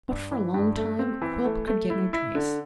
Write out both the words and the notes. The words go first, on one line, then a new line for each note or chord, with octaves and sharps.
But for a long time Quilp could get no trace.
G2
E3
G2
A3
C4
E3
A3
A3
E4
E4
D3